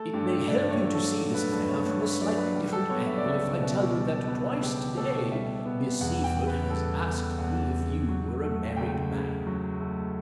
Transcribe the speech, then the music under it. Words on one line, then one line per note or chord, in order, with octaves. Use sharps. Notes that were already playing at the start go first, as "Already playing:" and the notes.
"It may help you to see this affair from a slightly different angle if I tell you that twice today Miss Seyffert has asked me if you were a married man."
Already playing: A3 A4
G2 G4
G2 D5
C#5
F#3
A4
A3
B4
G2 B4
C#5
G2 C#5
B4
F#3 D5
B4
G3 G4
A4
B3 C#5
E5
D5
C#2 E5
B2
G3
B3
C#2 G4
B2 A4
G3 E5
B3
E2 F#5
G5
C#3
B4
G3 A4
B3
E2 F#5
C#3
F#3
A3
C#2 G5
C#3
F#3
A3